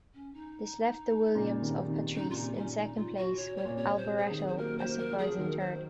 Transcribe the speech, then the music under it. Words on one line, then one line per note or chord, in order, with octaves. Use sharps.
This left the Williams of Patrese in second place with Alboreto a surprising third.
C#4
D#4
A#2 C#3
C3 D#3
C3 D#3
C#3 D#4
C3
F4
A#2 D#4
C3
C#4
D#4
F4
F#4
C#5
C#5
A#2
C3 C#5
C5
C3
G#4
C3 D#3
G#4
C5
F#3 A#3 A#4
C5
F#3 A#3
A#4
F3 G#3
G#4
D#3 F#3 A#4
C5